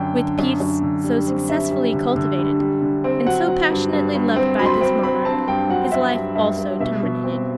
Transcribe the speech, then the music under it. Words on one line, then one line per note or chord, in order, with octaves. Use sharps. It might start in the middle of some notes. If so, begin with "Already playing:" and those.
With peace, so successfully cultivated, and so passionately loved by this monarch, his life also terminated.
Already playing: F#2 D3 G5
D3
F#2
F#2
D3
G3
C4
G3 E5
G3
D3
D3
G3
G3
D3
C4
F#3 F#5
F#3
G2
G2
G2
C4
F#3 B5
C6
B5
C4
C4 B5
C4 A5
G2 G5
F#3 F#5
F#3 E5
G2
G2 E5
G2
B2 E5
B2
C4